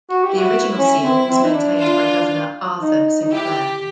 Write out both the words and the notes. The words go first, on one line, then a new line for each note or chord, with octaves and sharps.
The original seal was maintained by Governor Arthur Saint Clair.
F#4
E4 G4
F#4
C#4
C4
C4
D#4
D4
F4
D#4
D#4
E4 G4